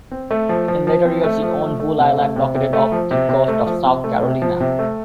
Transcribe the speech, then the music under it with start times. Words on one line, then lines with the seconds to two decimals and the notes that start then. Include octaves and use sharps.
In later years he owned "Bull Island", located off the coast of South Carolina.
0.11 C4
0.31 A3
0.49 F3
0.68 F3
0.87 F3
1.05 C4
1.24 A3
1.42 F3
1.61 A3
1.80 A3
1.99 C3
2.17 A3
2.36 C3
2.55 C3
2.73 A3
2.92 F3
3.11 C3
3.29 C3
3.48 A3
3.66 F3
3.85 C3
4.04 A3
4.23 C3
4.42 F3
4.60 C3
4.79 A3